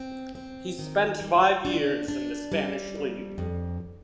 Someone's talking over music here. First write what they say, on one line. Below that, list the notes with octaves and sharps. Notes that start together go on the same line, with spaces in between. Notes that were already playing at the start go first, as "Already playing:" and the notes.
He spent five years in the Spanish league.
Already playing: C4
C4
D#3
G3
D4
D4
G3
F2
F2